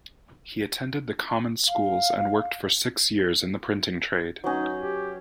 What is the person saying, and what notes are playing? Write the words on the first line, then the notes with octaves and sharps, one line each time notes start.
He attended the common schools and worked for six years in the printing trade.
F5
F#3 C#4 D#4
G4